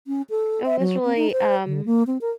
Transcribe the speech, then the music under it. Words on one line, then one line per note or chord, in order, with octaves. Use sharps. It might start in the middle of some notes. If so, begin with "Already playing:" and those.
it was really, um,
C#4
A4
E5
F#3
C4
D#4
C5
D3
A#3
C4
A#4